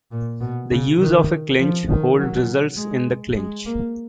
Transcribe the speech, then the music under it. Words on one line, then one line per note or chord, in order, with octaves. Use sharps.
The use of a clinch hold results in the clinch.
A#2
B2
C#3
D#3
F3
D#3
F#3
G#3
G#3
A#3